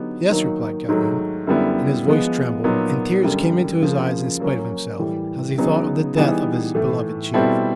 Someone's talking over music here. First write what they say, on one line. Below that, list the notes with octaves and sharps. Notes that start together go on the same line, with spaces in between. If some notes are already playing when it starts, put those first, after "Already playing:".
"Yes," replied Calhoun; and his voice trembled, and tears came into his eyes in spite of himself, as he thought of the death of his beloved chief.
Already playing: D3 F#3 B3 D#4 G4
D#3 F#3 A#3 D#4
G#2 D#3 F#3 A3
F#2 D3 G3 B3 E4
F3 G#3 B3
A#2 F#3 B3 D#4
F#2 D3 G3 A#3
C#3 F3 A#3
F#3 A#3 C#4
A2 E3 G3
C#3 F#3 B3 D#4 G#4
E3 G3 B3 D#4 G#4
A2 E3 A3
B2 G3 C4 E4 A4